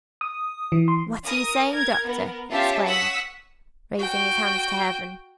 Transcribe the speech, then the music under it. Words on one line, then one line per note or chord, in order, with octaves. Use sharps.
"What are you saying, doctor?" he exclaimed, raising his hands to heaven.
D#6
E3
C6
A#4 D#6
A#4 G#6
B3 A#4
C#4 F4 G4 E5 A5
F#5 C#6 D#6 E6 B6
F#4 G5